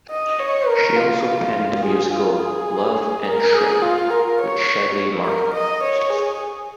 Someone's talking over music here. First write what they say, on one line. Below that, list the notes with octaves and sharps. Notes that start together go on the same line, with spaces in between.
She also penned the musical "Love and Shrimp" with Shelly Markam.
D#5
C#5
A#4
F4
G#4
F4
G#4
A#4
G#4
F4
A#4
C#5
A#4
D#5
C#5
G#4